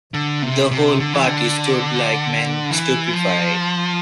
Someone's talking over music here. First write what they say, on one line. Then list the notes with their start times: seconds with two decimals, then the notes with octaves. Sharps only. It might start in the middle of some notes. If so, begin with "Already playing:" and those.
The whole party stood like men stupefied.
0.14 D3
0.42 C3
0.71 C3
1.00 D3
1.14 E3
1.27 D3
2.71 E3
3.13 F3